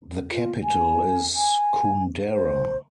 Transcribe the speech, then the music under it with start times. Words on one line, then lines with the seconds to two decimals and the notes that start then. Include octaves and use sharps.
The capital is Koundara.
0.30 F4
0.64 G#5
1.36 G#5
2.31 C5